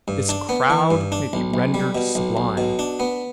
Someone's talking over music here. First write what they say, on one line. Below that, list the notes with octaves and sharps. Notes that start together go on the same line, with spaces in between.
This crowd may be rendered sublime.
G2
D4
B3
E3
G2
D4
B1
B1
G3
B2
B1
B1
B2
D4
B3